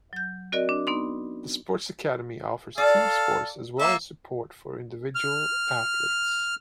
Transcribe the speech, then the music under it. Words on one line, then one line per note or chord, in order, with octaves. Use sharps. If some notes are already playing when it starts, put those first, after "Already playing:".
The Sports Academy offers team sports as well as support for individual athletes.
F#3 G6
C4 F#4 A#4 D5 D#5
D4
B3 D#4 C6
A4 D5 F5
A#3 A4 E5
F6